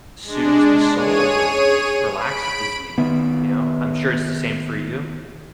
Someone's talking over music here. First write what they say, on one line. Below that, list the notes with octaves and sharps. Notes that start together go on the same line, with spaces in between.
soothes the soul and relaxes me, you know? I'm sure it's the same for you.
G#3 D4
G#4 C#5 D#7
B5 D7
D#3 B3